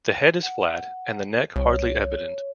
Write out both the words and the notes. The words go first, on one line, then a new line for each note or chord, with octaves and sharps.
The head is flat and the neck hardly evident.
F#5
C2 C#5